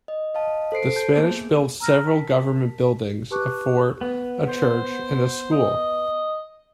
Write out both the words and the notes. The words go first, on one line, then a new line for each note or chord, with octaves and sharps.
The Spanish built several government buildings, a fort, a church and a school.
D#5
D#5 F5 A5
A4 C5 C7 D7
C5 A5 G6
A#3 B3 G#4
A#5 E6 F6 A#6
A#4 A5 B6
G4 B4 A5 C#6 D6 F#6
B3
C5
D#5